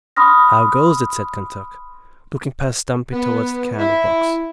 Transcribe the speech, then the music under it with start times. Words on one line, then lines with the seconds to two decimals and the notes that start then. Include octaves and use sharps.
"How goes it?" said Kentuck, looking past Stumpy toward the candle-box.
0.16 B5 C6 D#6 F6 A#6
3.13 B3
3.79 E4